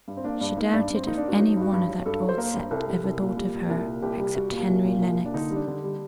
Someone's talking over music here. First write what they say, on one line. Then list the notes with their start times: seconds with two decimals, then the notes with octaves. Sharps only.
She doubted if any one of that old set ever thought of her, except Henry Lennox.
0.08 G2
0.17 C4
0.24 A#3 D4
0.41 G2 D4
0.57 A#3 D#4
0.73 G2 D4
0.90 G2
0.95 C4
1.06 A#3 D#4
1.17 D4
1.23 A#3
1.28 F#4
1.39 F#3 D#4
1.56 G2
1.61 F#4
1.73 G2
1.89 F#3
2.06 G2 A4
2.22 F#3
2.29 C5
2.38 A#3 A#4
2.54 G2
2.71 C2 A4
2.87 G3
3.04 C2
3.20 A#2
3.37 G3
3.54 A#2
3.70 C2
3.86 A#2
4.02 C2 G4
4.20 G3
4.35 G3 F#4
4.52 A#2
4.68 C2
4.84 A#2
5.01 C2
5.17 A#2
5.25 D4
5.34 D3 D#4
5.51 G3
5.56 D4
5.68 D3
5.84 G3